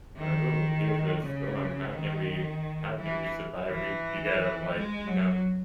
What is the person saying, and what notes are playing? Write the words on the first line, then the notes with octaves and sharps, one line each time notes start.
We're like, "Ooh, here's a storm, how can we how can we survive?" We you gotta, like, become
D#3
C#3
D#3
E3
E3
G#3
F#3